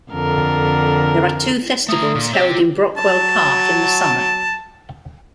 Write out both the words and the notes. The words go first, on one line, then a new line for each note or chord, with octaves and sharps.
There are two festivals held in Brockwell Park in the summer.
F2 D3 A#4
A3 A#5 D#6
A#2
C4 G4 C#5
F4
F#3 A5